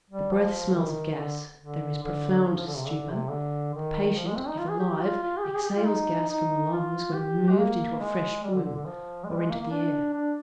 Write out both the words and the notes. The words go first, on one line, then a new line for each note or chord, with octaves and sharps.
The breath smells of gas; there is profound stupor; the patient, if alive, exhales gas from the lungs when removed into a fresh room or into the air.
G3
F3
D#3
D3
D3
D3
F3
F3
D3
C3
D3
C3
D3
D#3
F3
G#3
C4
D#4
F4
G#4
G4
G4
F4
F4
G#4
G4
G#4
G4
F4
D#4
D#4
F4
G4
G#3
A#3
G#3
G3
D3
D3
D3
F3
G#3
G3
G#3
A#3
A#3
D4
D4